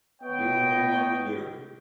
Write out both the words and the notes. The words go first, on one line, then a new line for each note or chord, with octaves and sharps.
Doing what he wanted to do.
B3 C#5 D#5 G5